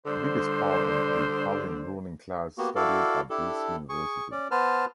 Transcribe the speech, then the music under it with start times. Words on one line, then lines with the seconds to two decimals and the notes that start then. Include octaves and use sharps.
The biggest part of the Italian ruling class studied at this University.
0.06 D3 G3 C5
2.58 A#3 B3 F#4 G4
2.76 E4 F#4 A4 D5 F5
3.30 D4 E4 G4 A4
3.89 G#4 C#6
4.32 C#4 D5
4.51 B3 B4 C5 A5 F6